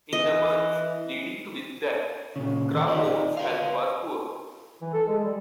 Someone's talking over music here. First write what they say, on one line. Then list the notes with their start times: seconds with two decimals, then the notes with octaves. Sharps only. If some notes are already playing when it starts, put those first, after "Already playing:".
In the months leading to his death, Crawford's health was poor.
0.13 E3 D#5
2.36 A#2 C#3
2.73 D#3
2.87 D#4 F4 G4 A#4 D5 D#5
3.37 F4 B4 F5
4.82 E3
4.94 A4
5.08 G#3
5.24 G3